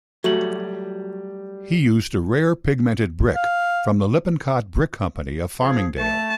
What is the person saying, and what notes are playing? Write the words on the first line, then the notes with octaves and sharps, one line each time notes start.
He used a rare pigmented brick from the Lippincott Brick Company of Farmingdale.
F#3 G3 A3 F#4 F#7
F5
F3 G#4
A3 A5